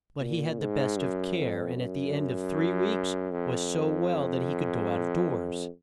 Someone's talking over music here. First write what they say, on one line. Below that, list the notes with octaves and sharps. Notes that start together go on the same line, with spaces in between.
But he had the best of care, and at the end of three weeks was so well that he could go out of doors.
A#2
G#2
F#2
F2
F#2
F2